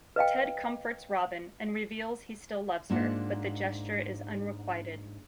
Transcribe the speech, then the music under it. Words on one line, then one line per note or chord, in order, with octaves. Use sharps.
Ted comforts Robin and reveals he still loves her, but the gesture is unrequited.
B4 D#5 F5 G5
G#2 A#3 D4 F4 F#5